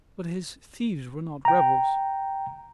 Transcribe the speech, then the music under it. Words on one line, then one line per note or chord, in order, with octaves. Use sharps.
But his thieves were not rebels.
G5 A#5